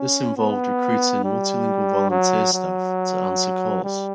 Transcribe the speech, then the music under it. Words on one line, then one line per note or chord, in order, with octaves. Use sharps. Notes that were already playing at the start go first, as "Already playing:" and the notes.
This involved recruiting multilingual volunteer staff to answer calls.
Already playing: C#4
B3
G3
F#3
F#3
G3